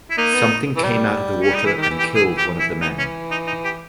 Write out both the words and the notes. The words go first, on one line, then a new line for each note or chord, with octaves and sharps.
Something came out of the water and killed one of the men.
E4
A#3 D#4
B3
E3
G3
C#4
G3 D#4
E3 E4
D#3
G4
E3
G4
G#4
G4
E4
D#4
C#4
D#4
D#4
G4